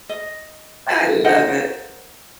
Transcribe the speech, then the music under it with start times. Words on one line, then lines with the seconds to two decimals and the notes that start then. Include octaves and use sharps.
I love it.
0.09 D#5
1.24 A#4 C5 D#5 F#5